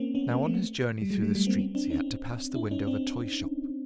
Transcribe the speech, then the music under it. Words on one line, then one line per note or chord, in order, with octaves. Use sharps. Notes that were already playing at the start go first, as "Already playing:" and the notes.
Now on his journey through the streets he had to pass the window of a toy-shop.
Already playing: A#3 C4 C#4
B3 C#4
A#3 C4
A3 B3
G3
F#3 G#3
G3 A3
G3 A3
A#3 C4
B3 C#4
C4 D4
C#4 D#4
D4 E4
C#4 D#4
C4 D4